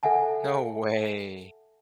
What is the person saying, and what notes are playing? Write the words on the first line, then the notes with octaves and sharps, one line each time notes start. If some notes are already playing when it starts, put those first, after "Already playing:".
No way.
A4 E5 F#5 G#5 A5